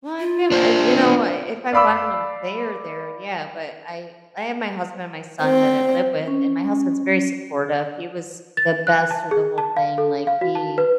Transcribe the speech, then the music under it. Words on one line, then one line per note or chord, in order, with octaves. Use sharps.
Well, I have fam I've you know, I if I wanted 'em there, there, yeah, but I I have my husband and my son that I live with, and my husband's very supportive, he was the best through the whole thing, like, he
F4
D4 C5
D5 F5 B5 D6 E6
C4
C#4
A6
F#6
A5
G#4
A5
F5
A4
F5
F#4
A5
B4